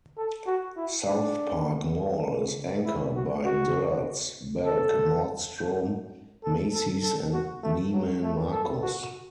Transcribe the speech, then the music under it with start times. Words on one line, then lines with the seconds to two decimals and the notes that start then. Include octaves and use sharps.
SouthPark Mall is anchored by Dillard's, Belk, Nordstrom, Macy's and Neiman Marcus.
0.18 A4
0.47 F#4
0.77 E4
1.06 D4
2.85 E4
3.15 F#4
3.45 F#4
4.65 A4
6.44 A4
6.74 A4
7.03 A4
7.33 F#4
7.63 A3
7.93 F#3
8.23 A3
8.52 A4
8.82 F#4